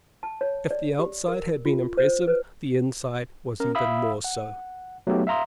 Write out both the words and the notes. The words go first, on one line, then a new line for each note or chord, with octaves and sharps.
If the outside had been impressive the inside was even more so.
A5
C#5
D5
G4
A#4
F4
C5
B4
C#4 A#4
E5 F5 B5 D#6 E6
F#5
F#3 A3 B3 D#4 G4
E5 F5 A#5 C6 D#6